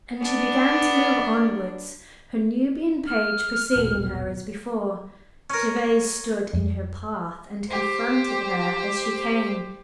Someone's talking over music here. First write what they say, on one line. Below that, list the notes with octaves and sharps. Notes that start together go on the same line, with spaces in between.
And she began to move onwards, her Nubian page preceding her as before. Gervase stood in her path and confronted her as she came.
B3 D4
F6
D#1 G#1 B2
C#4 A#4
F2
G4 C5